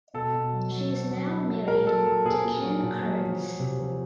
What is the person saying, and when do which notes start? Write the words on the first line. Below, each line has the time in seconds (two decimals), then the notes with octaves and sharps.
She is now married to Ken Kearns.
0.14 B2 A4
0.33 B2
0.53 F#3
0.71 F#3
0.91 F#3
1.10 F#3
1.29 F#3
1.48 F#3
1.68 A#2 A#4
1.87 F#3 A4
2.05 F#3 A4
2.25 A#2 G#4
2.44 A#2
2.63 F#3
2.83 A#2
3.01 F#3
3.20 F3
3.40 F3
3.59 C3
3.79 F3